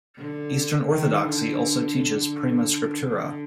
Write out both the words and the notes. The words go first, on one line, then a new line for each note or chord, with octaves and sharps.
Eastern Orthodoxy also teaches prima scriptura.
D3
D#3
D3
D3
D3